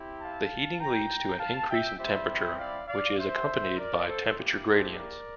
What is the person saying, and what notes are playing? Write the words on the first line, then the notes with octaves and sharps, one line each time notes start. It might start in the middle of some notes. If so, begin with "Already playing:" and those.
The heating leads to an increase in temperature, which is accompanied by temperature gradients.
Already playing: C4 E4 G4
F5 A5
G5 A#5
F5 A5
E5 G5
G3 C4 E4 G4 C5 E5
D5 F5
D5 F5
C5 E5
A#4 D5
A4 C5
A#3 E4 G4
A4 C5
A#4 D5